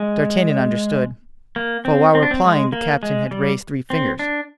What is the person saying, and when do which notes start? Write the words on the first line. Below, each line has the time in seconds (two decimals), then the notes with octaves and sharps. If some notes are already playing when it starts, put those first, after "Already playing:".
D'Artagnan understood, for while replying the captain had raised three fingers.
Already playing: G#3
1.56 A#3
1.85 C4
2.15 C4
2.23 D4
2.31 C4
2.44 G#3
2.73 A#3
3.03 G#3
3.31 G3
3.90 C4
4.19 D4